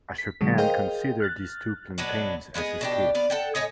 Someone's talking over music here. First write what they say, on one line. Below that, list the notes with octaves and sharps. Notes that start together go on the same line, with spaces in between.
Ashokan consider these two plantains as his kids.
B6
B2 D3 F#3 G#3
G#4 A#4 C5 D#5 F5 G5
F6 F#6 A6
B2 F#3 B3 D4
G#3 B3 F#4 G#4
B2 D4 G4
B3 D5 F5
A4 F#5 G5
A2 C#5 D#5 G#5